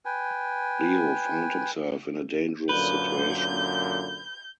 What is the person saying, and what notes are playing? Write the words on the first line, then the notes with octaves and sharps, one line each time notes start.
Riou found himself in a dangerous situation.
B4 G5 G#5
F#2 A#2 D3 B4 G6